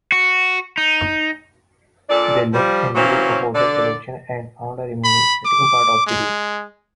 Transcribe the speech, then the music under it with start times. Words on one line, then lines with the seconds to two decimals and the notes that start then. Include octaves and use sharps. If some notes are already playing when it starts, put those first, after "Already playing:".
They looked in the opposite direction and found a remunerating part of the reef.
0.12 F#4
0.78 D#4
2.09 A#2 D4 A4 D5
2.53 F3 G3
2.95 E3 F#3 A#3 C4 C#4
3.55 D3 D5
5.04 B5
5.45 D6
6.07 G#3